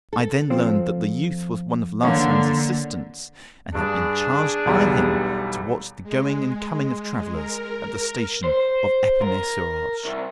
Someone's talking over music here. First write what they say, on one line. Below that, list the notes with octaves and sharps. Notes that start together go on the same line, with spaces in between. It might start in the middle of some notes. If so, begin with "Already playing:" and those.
I then learned that the youth was one of Larsan's assistants and had been charged by him to watch the going and coming of travellers at the station of Epinay-sur-Orge.
A4
F3 C4
D3 A#3 C#5
G2 D4 G#4
B1 E2 G3
G#3
A#4
C5
A#4
C2